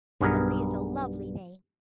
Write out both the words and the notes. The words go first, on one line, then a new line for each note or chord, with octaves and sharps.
Avonlea is a lovely name.
B1 G2 B3 G#4 A#4